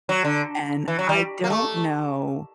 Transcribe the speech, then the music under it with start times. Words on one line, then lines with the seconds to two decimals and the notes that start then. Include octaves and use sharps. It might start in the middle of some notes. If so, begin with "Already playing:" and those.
and I don't know
0.09 F#3
0.24 D3
0.88 E3
0.99 F#3
1.09 G3
1.44 A#3
1.50 A3